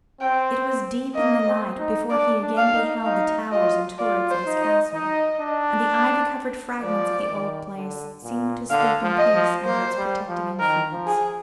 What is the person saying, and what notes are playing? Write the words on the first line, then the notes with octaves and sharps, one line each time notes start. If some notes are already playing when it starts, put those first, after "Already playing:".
It was deep in the night before he again beheld the towers and turrets of his castle, and the ivy-covered fragment of the old Place seemed to sleep in peace under its protecting influence.
C4 G5
A#3 D#5
C4
D#4
D4 D5
D4
F5
D#4
D#4 F5
F4 D#5
F4 D5
C5
D#4
D#5
D#4 D#5
D4
F3 D5
D#3
D3
A#2
D3 F5
F3
D#5
F3
A#3 C5
G3
F3
D#3 A#4
F3
G#4